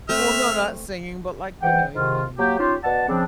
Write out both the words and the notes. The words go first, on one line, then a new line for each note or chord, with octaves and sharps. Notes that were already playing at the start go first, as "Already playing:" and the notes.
Well, no, not singing, but, like, you know, even in
A3 C4 E5 F6
G#2 E3 F#5 G5
G#2 C3 D#3 F4
F#3 A#3 G4
C#4 D#4 F4 G4 C5
B2 D5 F#5 A5
C#3 F3 C4 D4